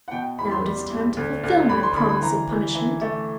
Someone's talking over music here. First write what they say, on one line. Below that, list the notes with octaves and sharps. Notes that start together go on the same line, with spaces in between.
Now it is time to fulfill my promise of punishment.
F#5
B2 G5
E2 B5
C6
G3
E2
D2
D2
D2 B5
C6
D3 B5
B5
E3 A#5
E3
E3
A3